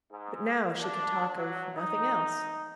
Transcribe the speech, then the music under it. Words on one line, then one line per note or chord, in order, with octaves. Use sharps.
But now she could talk of nothing else.
G#2
D4
F#3
D#4